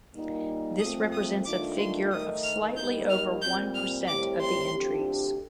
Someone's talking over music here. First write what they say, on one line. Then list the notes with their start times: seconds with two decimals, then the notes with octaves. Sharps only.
This represents a figure of slightly over one percent of the entries.
0.14 A#2 G3 A#3 D#4
0.80 A#2 F3 A3 C4 D#6
1.12 D#6
1.45 D#3 A3 D4 F4 A4 D6
1.78 C6
2.11 D#3 A3 D#4 A#4 D#5 D#6
2.43 F6
2.77 G3 A#3 D#4 A#4 D#5 G6
3.10 F6
3.42 A#2 G3 C4 G6
3.75 F6
4.07 A2 G3 C4 G4 A#4 D6
4.40 C6
4.73 D2 D3 F3 C4 G4